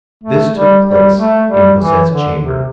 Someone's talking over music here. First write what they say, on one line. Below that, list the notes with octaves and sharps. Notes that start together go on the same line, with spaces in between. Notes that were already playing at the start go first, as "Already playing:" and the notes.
This took place in Cosette's chamber.
A3
G3
G3
A3
G3
E3
D3
C3